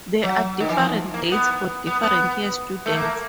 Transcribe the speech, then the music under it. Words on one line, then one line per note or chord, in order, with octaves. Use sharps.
There are different dates for different year students.
F#3
D#3
E3
F3
A#3
B3
B3
B3
A3
A#3